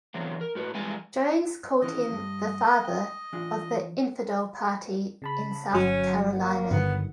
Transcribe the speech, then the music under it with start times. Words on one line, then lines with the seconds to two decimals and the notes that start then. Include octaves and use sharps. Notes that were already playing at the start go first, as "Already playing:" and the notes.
Jones called him "the Father" of the "infidel Party" in South Carolina.
0.14 B2 D3 E3 F#3 C4
0.41 A#4
0.55 A2 F#4 B4
0.74 E3 G3 G#3 G5 G#5
1.82 D#3 E3 C#4 D#5
2.12 G2
2.85 G5
3.33 E3 D4 F4
5.22 C#3 A5 B5
5.74 G1 F#3 C#4 F#5
6.32 A#3
6.71 G2 D3 D#3 B3